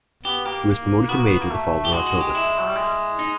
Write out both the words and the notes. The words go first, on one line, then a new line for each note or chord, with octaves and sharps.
He was promoted to major the following October.
B3 G4
A#3 G4
B3 F#4
A#3
B3
A#3
A3
G4
G#3 F#4
F#4
G4
E4
F#3
G3
G#3
D#4